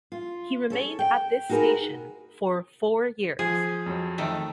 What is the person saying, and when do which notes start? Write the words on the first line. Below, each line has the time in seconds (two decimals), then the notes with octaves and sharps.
He remained at this station for four years.
0.12 F4
0.70 C#4 A4 C#5
0.99 G5
1.49 D#4 F#4 G#4 A#4 B4
3.39 F3 G#4
3.86 F2 F#3
4.18 D#3 A3